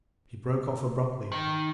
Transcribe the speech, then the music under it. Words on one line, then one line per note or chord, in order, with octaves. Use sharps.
He broke off abruptly.
D#3